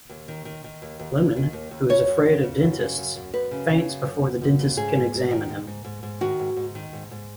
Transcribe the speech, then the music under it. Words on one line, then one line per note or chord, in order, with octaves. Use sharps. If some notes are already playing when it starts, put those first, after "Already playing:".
Lemon, who is afraid of dentists, faints before the dentist can examine him.
D#2
D#3
D#3
D#3
D#2
D#2
D#2
D#3
D#2
D#2
C#3 C#5
F#2
C#3
C#3
F#2
C#3
F#2
F#2
F#2 B4
C#3
C#3
F#2
F#2
F#2
F#2
C#3
G#2 G#4
G#2
G#2
D#3
G#2
G#2
G#2
G#2
D#3 F#4
G#2
G#2
D#3
G#2
G#2